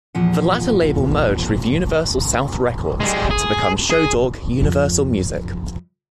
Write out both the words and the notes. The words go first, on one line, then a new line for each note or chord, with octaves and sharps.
The latter label merged with Universal South Records to become Show Dog-Universal Music.
E2 A#2 F3 F#5
G3 G#3
G#4
G#4
F2 F3